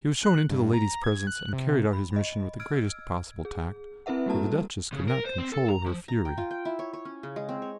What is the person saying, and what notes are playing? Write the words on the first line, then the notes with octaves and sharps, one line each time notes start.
He was shown into the lady's presence and carried out his mission with the greatest possible tact, but the Duchess could not control her fury.
F#6
G2
A#5
G#6
F#6
C3
B5
D#5
E6 F6 G#6 D7
G#4
C4 E4 B4 E5 F#5
G3 A#3 F#4 A4 A5 A#5
C#3
A#4
C5
C4
A4
A#5
F3
A#5
G5
F4
G5
E4
C#5
C#5
C#4
C#3
G#3
C4
C#5